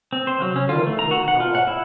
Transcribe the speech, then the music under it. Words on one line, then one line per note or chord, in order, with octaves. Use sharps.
I have no hope at all.
C4
C5
F#3
C#4
F4
A3
A#5
F#4
F#5
F4
F#5
E4